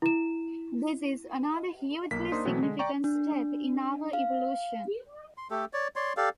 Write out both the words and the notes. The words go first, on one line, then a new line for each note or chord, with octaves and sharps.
This is another hugely significant step in our evolution.
E4 E7
B1 A#3 B6
A#3 D4 D#4 C5 C6 D#6
B2 E3 F#3 A3 B3 C4
D3 G#3
D5 G5 A#5 C#6
D4
F5
C6
A3 G4 A4
C#5 D5
C#5 D5 C6
G4 A4 D5 F5